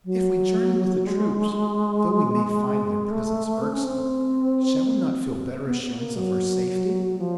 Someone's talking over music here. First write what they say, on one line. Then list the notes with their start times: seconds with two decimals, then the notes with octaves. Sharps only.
"If we journey with the troops, though we may find their presence irksome, shall we not feel better assurance of our safety?"
0.05 F#3
1.07 G#3
3.11 A3
3.62 C4
3.73 C#4
3.84 C4
5.66 B3
5.82 B3
6.00 A#3
6.16 F#3
7.18 F3